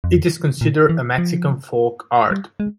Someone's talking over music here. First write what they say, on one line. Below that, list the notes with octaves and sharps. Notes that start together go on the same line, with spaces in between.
It is considered a Mexican folk art.
F2
A#2
E3
F3
G3
G#3